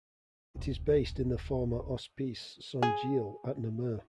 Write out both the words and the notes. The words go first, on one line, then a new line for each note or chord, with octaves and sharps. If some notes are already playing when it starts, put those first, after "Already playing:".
It is based in the former Hospice Saint-Gilles at Namur.
D#1 C2
G#4